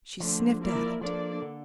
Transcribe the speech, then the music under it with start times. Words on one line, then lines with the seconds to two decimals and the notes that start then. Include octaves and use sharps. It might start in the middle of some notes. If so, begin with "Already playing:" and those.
She sniffed at it.
0.20 D3 F3 A3 D4
0.61 A#3 E4 A#4 D5
1.01 F3 A#3 D4 A4 D5
1.42 D3